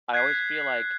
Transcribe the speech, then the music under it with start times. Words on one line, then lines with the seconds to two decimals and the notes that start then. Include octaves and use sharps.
I always feel like,
0.13 F#6 G#6 B6 C7